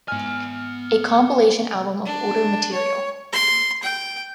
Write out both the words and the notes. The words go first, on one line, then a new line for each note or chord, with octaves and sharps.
A compilation album of older material.
G#2 B3 G#5 F6
D4
C#5
C6
G5